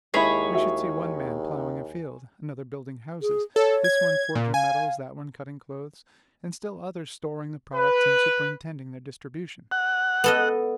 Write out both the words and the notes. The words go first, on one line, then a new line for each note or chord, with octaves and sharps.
We should see one man plowing a field, another building houses; this one forging metals, that one cutting clothes; and still others storing the products, and superintending their distribution.
D#2 G#3 E4 G#4 C#5 B5
F#4 E5
G#4
A4 C#5
G#6
A#2
F5 G#5
B4
F#5
B3 A4 D#5